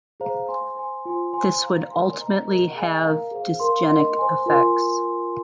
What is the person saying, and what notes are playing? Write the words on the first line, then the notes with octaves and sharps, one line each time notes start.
This would ultimately have dysgenic effects.
G#4 C5 F5 A#5
C5 G#5 C6
C5 G#5 C6
F4 C5 G#5 C6
C5 G#5 C6
C5 F5 A#5
A#4 G#5 C6
C5 D#5 A#5
A#4 D#5 A#5
G#4 D#5 G#5
A#4 F5 A#5
G#4 C5 F5
A#4 F5 C6
A#4 D#5 C6
C5 G#5 C6
F4 A#4 G#5 C6